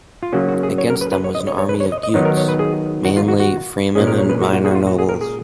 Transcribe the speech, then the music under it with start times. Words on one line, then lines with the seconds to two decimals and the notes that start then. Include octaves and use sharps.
Against them was an army of Gutes, mainly freemen and minor nobles.
0.23 F4
0.33 C#3 F#3 A#3 C#4 F#4
0.48 F#4
0.63 G#4
0.78 C#5
0.90 A#4
1.01 B4
1.12 B4
1.24 C#5
1.35 D#5
1.47 C#5
1.58 C#5
1.69 B4
1.80 C#5
1.92 D#5
2.03 D#5
2.14 D#3 F#3 B3 D#4 C#5
2.25 A#4
2.37 C#5
2.49 B4
2.59 G#4
3.05 F#4
3.17 F4
3.28 F#4
3.40 F#4
3.95 A#2 G#3 C#4 G#4
4.07 A#4
4.18 C#5
4.29 B4
4.41 F#4
4.53 F#4
4.64 G#4
4.71 F#4
4.75 F4
4.87 F#4
4.99 G#4
5.09 A#4
5.21 G#4